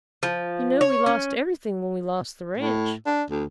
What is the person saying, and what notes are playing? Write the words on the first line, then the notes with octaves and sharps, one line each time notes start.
You know we lost everything when we lost the ranch.
F3
C#5
C#4
A2
D4
D2